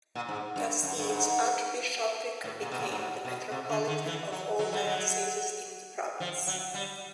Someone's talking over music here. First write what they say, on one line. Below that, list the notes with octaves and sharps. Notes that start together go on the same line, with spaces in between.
Thus its Archbishopric became the Metropolitan of all dioceses in the province.
A#2
G#2
G2
F#2
G2
G#2
A2
A#2
B2
A#2
G#2
A2
B2
C3
D3
D#3
E3
F#3
F#3
G3
F#3
F3
F#3
G3